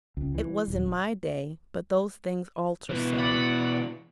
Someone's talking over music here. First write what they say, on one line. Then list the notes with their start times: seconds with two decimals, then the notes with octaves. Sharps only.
'It was in my day; but those things alter so.
0.17 C#2
0.35 E3
0.68 D#1
2.89 B2 E3
3.19 D5 F#5 B5